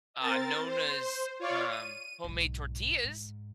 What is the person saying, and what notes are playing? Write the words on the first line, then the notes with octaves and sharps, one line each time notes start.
uh, Nona's, um, homemade tortillas.
C4 A#4 A6
C5
F4 C#5 D5 F5
D#7
B1 G#2
G#2